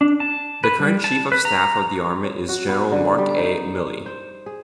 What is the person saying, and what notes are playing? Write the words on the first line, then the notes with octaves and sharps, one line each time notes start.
The current Chief of Staff of the Army is General Mark A. Milley.
D4
A5
B4
G3
A5
B4
A#5
C#5
F#4
B3
D3
G3
D#4
C5
G#4